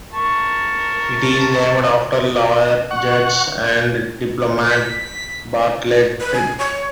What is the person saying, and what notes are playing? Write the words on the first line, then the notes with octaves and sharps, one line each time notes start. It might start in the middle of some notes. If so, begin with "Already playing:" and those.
It is named after lawyer, judge, and diplomat Bartlett Tripp.
A#4 A5 C#6
F#5 C#6
B6
B4
G#5
C#5